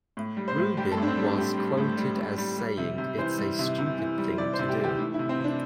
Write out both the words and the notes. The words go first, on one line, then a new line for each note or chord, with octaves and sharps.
Rubin was quoted as saying It's a stupid thing to do.
A2
G3
C5
A2
G3 G4
A4
A2
D4
C4
G3
D4
A2 G4
G3
A2
G3
A2
G3
G3
C3
C3
E3 C5
G3
C3
C3
E3
G3
C3 D5
C5
C3
G4
E3 G4
A3 E4
E4
C3
C4
C3 D4